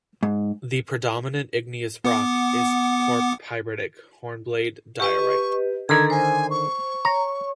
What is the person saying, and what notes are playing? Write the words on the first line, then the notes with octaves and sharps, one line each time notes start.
The predominant igneous rock is porphyritic hornblende diorite.
G#2
B3 F#5 D6
G4 B4 D#5 C#6
D3 D#3 A4 A#5 G#6
C5 G#5
C#6
C#5 A#5